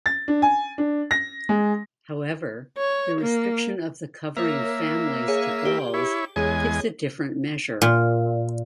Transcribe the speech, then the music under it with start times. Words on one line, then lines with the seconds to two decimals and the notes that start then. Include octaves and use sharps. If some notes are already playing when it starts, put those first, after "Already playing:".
However, the restriction of the covering families to balls gives a different measure.
0.06 A6
0.28 D4
0.42 G#5
0.78 D4
1.11 A#6
1.49 G#3
2.78 C#5
3.21 A#3
4.37 A#3 A#4 C#5 E5
5.28 G#4 C#5 F5
5.65 G4
5.94 E4 C#5
6.36 E2 G#3 G#4 C#5 G#5
7.82 A#2